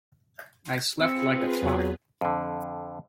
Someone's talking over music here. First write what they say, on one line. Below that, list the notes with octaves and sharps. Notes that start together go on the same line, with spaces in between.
I slept like a top.
C4 F4 G#4 B4 E6 C#7
E2 F#3
F2 D3